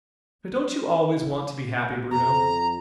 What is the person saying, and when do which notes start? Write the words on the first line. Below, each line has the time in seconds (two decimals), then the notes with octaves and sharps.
"But don't you always want to be happy, Bruno?"
2.11 F2 A#5